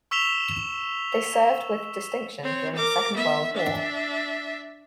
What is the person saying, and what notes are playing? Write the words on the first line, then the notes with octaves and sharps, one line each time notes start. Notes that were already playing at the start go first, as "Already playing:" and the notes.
They served with distinction during the Second World War.
C#6 E6 B6 E7 F7 G7
C4 C#5
A#4 D6
B3 E5
D4 E5